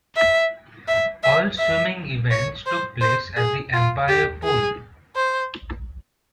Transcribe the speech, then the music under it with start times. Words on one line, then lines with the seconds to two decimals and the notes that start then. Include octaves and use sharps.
All swimming events took place at the Empire Pool.
0.16 E5
0.88 E5
1.23 E5
1.58 E5
2.31 C#5
2.66 C5
3.01 C5
3.37 G#4
3.73 F4
4.09 G4
4.44 G#4
5.16 C5